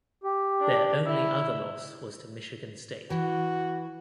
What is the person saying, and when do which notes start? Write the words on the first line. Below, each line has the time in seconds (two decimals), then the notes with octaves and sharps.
Their only other loss was to Michigan State.
0.24 G4
0.60 D4
1.06 E4 E6
3.10 E3 F#4